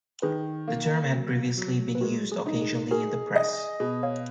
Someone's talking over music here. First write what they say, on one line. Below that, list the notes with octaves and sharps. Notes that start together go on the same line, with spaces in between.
The term had previously been used occasionally in the press.
D#3 G#4 B4
A#3
F#3
F#3
B4
G#3 F#4 A#4
G#4
D#4
G#4
F#4 G#4 A#4
D#5
B2 G#4
C#5 F5